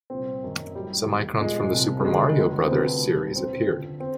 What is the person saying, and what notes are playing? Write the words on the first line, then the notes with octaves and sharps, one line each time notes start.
Some icons from the Super Mario Brothers series appeared.
C2 A#2 F3 C4
F#1 F#2 D#3 F#3
A1 A2 F#3 G3
E1 D#2 D#3
A#1 A#2 F3 G#3
C2 C3 F3
G3
E1 D2 D3 G#3
C#2 B2 F#3
C4
D2 C3 F3 B3
C2 A#2 F3
E2 C#3 F#3 C4
F2 D3 F3
C4